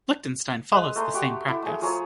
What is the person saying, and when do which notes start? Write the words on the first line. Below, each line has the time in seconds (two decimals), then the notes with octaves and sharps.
Liechtenstein follows the same practice.
0.72 G#3 B4
0.95 A3 A#5 C6
1.14 F#4 G4
1.48 E4
1.62 A3 G#4
1.81 F3 G#4 C#5 A#5